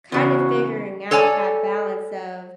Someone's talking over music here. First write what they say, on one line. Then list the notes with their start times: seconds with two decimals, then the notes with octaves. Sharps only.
kind of figuring out that balance of,
0.12 E2 C#3 F#4
1.11 A4 C#5 D5 G#5 A5